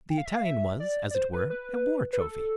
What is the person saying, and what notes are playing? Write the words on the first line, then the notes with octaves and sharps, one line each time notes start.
The Italian was, as it were, a war trophy.
G5
F5
E5
F5
E5
D5
D5
C5
B4
B4
B4
A4